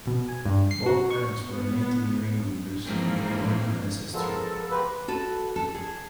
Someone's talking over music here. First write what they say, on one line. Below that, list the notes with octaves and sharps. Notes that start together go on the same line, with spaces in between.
Both parents were native New Englanders of colonial ancestry.
B2
G#5
G2
C7
F#4
C#6
B3
G#2 E3 F3 A#3 C4
F3 G#3 B3 A4 A#4 E6
A#3 G4 B4 A#5 C6
F#4 A4 B4
A4
G#4